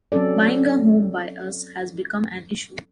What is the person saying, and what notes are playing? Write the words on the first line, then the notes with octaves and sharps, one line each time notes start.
Buying a home by us has become an issue.
F#3 C4 C#4 A4 D5